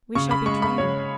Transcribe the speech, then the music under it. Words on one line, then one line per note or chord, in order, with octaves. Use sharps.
We shall be drowned!
C#3 C#6
B5
G#3 C#6
B5
C#3 C#5